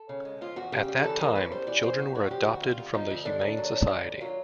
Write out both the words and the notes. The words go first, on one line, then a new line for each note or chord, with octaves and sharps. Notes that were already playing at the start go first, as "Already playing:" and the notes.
At that time, children were adopted from the Humane Society.
Already playing: A4
C#3
G#3
F3 F4
E2 F#4
C#3 G4
G3
E3 A4
E2 A#4
C#3 B4
G3 C5
E3 D5
E2 C5
C3 F#4
D2 F#4
F3 G4
D2 F#4
C3 F4
D2
F3 D#4
D2
D3 D4
D#2
F#3
D#2
D3
D#2
F#3 F4